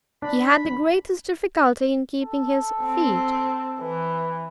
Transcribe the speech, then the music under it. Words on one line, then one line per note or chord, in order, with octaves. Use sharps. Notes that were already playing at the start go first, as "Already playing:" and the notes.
He had the greatest difficulty in keeping his feet.
D4 B5
A4
C4
E3 B4